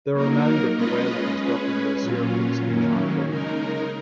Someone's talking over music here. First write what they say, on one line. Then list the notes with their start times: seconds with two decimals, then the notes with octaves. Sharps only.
There are many different ways of constructing the Sierpinski triangle.
0.12 F#3 A#3 D#4 A#4
0.75 G#3 C#4 F4 B4 D#5
1.38 G#3 C#4 G#4 B4
2.01 A#2 F#3 C#4 F4
2.65 F#2 D#3 F#3 A#3 C#4
3.28 C#3 G#3 D#4 A#4